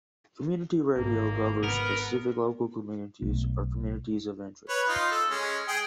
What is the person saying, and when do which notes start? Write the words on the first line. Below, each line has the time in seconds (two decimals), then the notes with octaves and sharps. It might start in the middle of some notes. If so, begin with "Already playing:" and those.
Community Radio covers specific local communities or communities of interest.
0.95 G#1 A#3
1.63 B3 A#4
3.22 B1 A3
4.69 B4 C#5
4.89 D#4 F4
5.11 A4
5.30 G#3 C#4
5.68 G#4 G5